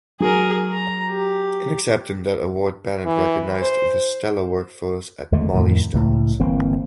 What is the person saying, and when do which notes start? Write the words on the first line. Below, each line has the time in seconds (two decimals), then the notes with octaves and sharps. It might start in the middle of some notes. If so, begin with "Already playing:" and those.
In accepting that award Bennett recognized the stellar workforce at Mollie Stone’s.
0.20 F#3 G#4 A#4
0.73 A#5
1.09 G4
3.05 E3
3.62 C5
5.32 D#2 D3 G#3 A3
5.53 F2 A2 D#3
5.93 C#2 A2
6.40 G1 E3 A#3 C4